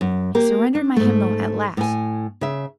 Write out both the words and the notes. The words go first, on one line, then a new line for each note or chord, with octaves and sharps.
He surrendered my hymnal at last.
F#2
A#3 G4 A#4
D4
G#2 A3
A2 G#5
C#3 E5